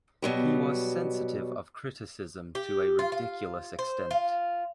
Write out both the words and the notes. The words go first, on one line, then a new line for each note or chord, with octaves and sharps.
He was sensitive of criticism to a ridiculous extent.
B2 F#3 G3
G4
F4
F4
C5
F4